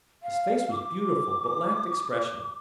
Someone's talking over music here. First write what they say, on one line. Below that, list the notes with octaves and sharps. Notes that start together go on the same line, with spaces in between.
His face was beautiful, but lacked expression.
F5
D6